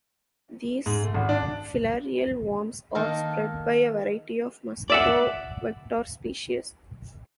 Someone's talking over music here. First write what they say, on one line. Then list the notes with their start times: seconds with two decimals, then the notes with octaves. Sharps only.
These filarial worms are spread by a variety of mosquito vector species.
0.86 G#2
1.03 A3
1.14 G#1
1.29 D4
2.95 D#3 A#3 A4
4.90 D5 E5 F#5